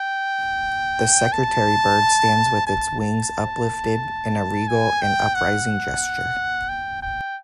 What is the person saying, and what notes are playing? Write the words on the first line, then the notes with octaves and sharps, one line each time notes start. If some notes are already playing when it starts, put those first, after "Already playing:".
The secretary bird stands with its wings uplifted in a regal and uprising gesture.
Already playing: G5
A5
A5
A5
G#5
G5
F#5
G5
G5